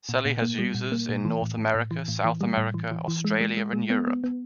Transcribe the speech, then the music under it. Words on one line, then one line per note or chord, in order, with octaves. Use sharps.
Selly has users in North America, South America, Australia, and Europe.
A#2
A#2
A#3
G3
A#2
A#3
A#2
E3
A2
A2
A2
E3
A2
E3
G3
A2
E3
E3
E3
G#3
G#3
G#3
G#3
B3
B3
B3